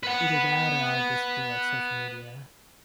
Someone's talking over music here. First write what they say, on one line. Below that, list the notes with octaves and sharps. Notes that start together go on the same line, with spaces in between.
either that or I'll, just, do, like, social media.
B4 F#5